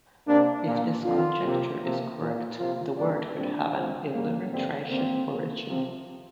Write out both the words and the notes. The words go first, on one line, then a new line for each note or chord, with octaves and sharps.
If this conjecture is correct, the word could have an "Illyro-Thracian" origin.
C3 A#3 D4
A#2 A#3
F2 D3 F3 C4 F4
C3 A#3
C3 F3 A#3
A#2 A#3
C3 F3 A#3 F4
G2 D3 A#3 D4
A#2 G3 C4 D4
F2 F3 C4
G2 G3 A#3
G2 D3 A#3 C4
G2 D3 A#3 C4
C3 F3 A#3
C3 F3 C4